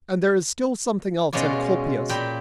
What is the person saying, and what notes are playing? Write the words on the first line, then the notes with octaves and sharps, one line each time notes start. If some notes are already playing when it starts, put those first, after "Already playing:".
And there is still something else, Encolpius.
B2 G#3 C#4 F4 D5
A#2 G5 B5